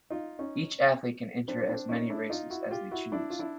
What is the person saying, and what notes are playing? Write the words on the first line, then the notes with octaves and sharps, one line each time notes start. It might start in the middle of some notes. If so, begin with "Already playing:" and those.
Each athlete can enter as many races as they choose.
D#4 F4
C#4 D#4
C4 D4
C4 D4
C#4 D#4
D4 E4
D#4 F4
E4 F#4
F4 G4
E4 F#4
D4 E4
F4
D4 E4